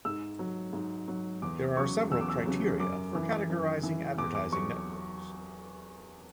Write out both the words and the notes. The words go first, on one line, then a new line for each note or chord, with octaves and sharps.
There are several criteria for categorizing advertising networks.
G#2 E6
F#3
G#2
F#3
E2 D6
C#3 F#3 C#6
E2 E6
D6
E6
C#3 F#3
F#2 D6
E3
F#2
E3
E2 D6
D6
F#3 C#6